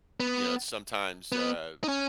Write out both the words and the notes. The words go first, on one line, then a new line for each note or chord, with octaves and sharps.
you know, it's sometimes uh,
B3
B3
D#4
C#4